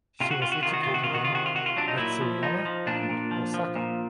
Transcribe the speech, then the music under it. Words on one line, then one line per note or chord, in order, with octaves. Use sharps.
She was educated in Matsuyama and Osaka.
C3 F4
F#4
C3 F4
F#4
D#3 F4
F#4
C3 F4
F#4
F4
D#3 F#4
F4
C3 F#4
F4
C3 F#4
F4
F#3 D4
D#4
A#2 E4
F3
F3 D#4
F3
A#2 D4
A#2
F3
F3
A#2